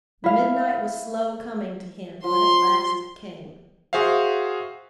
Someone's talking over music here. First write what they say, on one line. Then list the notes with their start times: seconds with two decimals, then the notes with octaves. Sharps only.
The midnight was slow coming to him; but at last it came.
0.24 E4 F5
2.24 F3 C6
3.93 F#4 G#4 C5 E5 F5